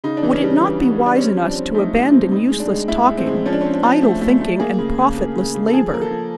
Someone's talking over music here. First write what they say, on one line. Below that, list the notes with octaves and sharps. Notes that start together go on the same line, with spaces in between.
Would it not be wise in us to abandon useless talking, idle thinking, and profitless labour?
C#3 D#4
D4
E3
C#4
G3 D4
E3
B3
G3
D4
C4 C#4
F3
D4
C4
A3 D#4
C3
C4
A2 D#4
G#3
D4
G#3
A2 E4
G#3
C4
G#3
F3 C#4
D4
C#4
C4
D4
F3
A3
A3
A3
A#3 G#4
C#3
C#3
A#3
C#3
C#3
A4
F3 G#4
A#3 A#4
A4
F3